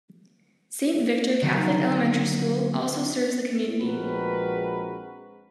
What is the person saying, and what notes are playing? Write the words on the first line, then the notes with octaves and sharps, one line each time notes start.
Saint Victor Catholic elementary school also serves the community.
D3 D#3 F#3 G3 A#3 C#4
A#1 G#3 C4 F#4 A#4 B4